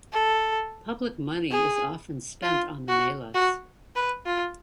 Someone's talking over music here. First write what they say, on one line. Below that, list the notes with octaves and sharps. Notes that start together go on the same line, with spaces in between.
Public money is often spent on the melas.
A4
G#4
F4
F#4
F#4
B4
F4